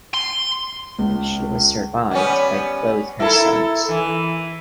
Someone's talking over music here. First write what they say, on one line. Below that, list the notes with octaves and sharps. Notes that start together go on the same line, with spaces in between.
She was survived by both her sons.
C6
C#2
G3 B3 C#4
E4 A4 A#4
E3